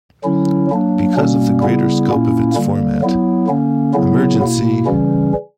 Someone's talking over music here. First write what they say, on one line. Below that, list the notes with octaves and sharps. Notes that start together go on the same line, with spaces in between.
Because of the greater scope of its format, Emergency!
D3 F#3 C#4 E4
F#3 A#3 D4
B2 G3 A#3 C#4
C#3 G3 B3 E4
A#2 A#3 C#4 E4
D3 G3 A#3
F#3 B3 E4
D3 A#3 C#4
C#3 F#3 B3 E4
B2 A#3 E4
C#3 E3 G3 C#4